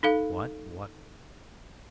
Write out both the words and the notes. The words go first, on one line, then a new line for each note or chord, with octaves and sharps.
What, what!
D#4 A4 F5